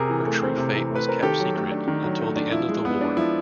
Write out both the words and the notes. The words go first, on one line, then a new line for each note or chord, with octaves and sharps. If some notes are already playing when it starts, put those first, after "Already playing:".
Her true fate was kept secret until the end of the war.
Already playing: C3 G#4 A#4
E3
A3
C4
C3
E3
A3
B4
C4 A#4
D#3 G4 A4
F#3
A3
D4
D#3
F#3
A3
D4
F3 E4
G#3
B3
D4
F3 E4